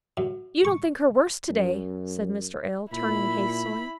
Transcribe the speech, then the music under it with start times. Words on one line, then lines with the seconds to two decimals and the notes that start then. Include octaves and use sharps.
'You don't think her worse to-day,' said Mr. Hale, turning hastily.
0.17 F#2
0.65 C#6
1.50 F#2
2.92 A#2 E4 B5